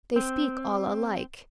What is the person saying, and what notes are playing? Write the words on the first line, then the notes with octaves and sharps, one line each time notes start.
They speak all alike.
C4